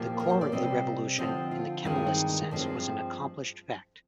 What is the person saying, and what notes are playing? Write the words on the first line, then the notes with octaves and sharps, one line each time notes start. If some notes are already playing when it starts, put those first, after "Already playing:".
The core of the revolution, in the Kemalist sense, was an accomplished fact.
Already playing: A#2 F3 A#3 G4
A#4
C5
D5
C3 G3 C4 D#5
D3 F3 C4 D#5
F4
G2 D#3 G#3 C4 F4
D#4
D#4
G2 F3 G#3 C4 D4